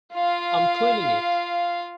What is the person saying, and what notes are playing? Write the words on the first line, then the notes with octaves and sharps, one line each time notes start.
I'm cleaning it.
F4 F5